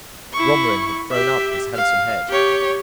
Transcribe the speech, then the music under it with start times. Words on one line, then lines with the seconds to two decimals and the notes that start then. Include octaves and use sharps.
Romarin had thrown up his handsome head.
0.33 E4 C#6
1.11 G4 E5
1.74 F5
2.29 G4 C#5